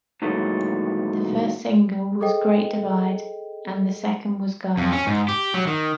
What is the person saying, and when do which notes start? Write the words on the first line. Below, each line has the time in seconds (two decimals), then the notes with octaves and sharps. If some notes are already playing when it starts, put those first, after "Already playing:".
The first single was Great Divide and the second was Go.
0.22 A#2 D#3 E3 F#3 G#3 A3
2.21 G#4 A4 C5 D#5 G5
4.77 F2
4.93 C#4
5.07 G#2
5.28 G4
5.54 F#3
5.67 D#3